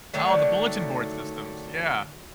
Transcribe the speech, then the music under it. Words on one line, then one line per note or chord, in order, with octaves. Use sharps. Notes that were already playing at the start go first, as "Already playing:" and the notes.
Oh, the bulletin board systems, yeah.
D3 D#3 F#3 A3